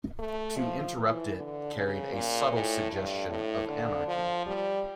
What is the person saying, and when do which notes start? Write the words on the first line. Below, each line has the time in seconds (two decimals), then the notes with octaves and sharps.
To interrupt it carried a subtle suggestion of anarchy.
0.19 A3
0.57 F3
0.97 E3
1.36 D3
1.75 C#3
2.13 A#2
2.51 A2
2.91 G2
3.30 A2
3.68 D3
4.07 F3
4.46 G3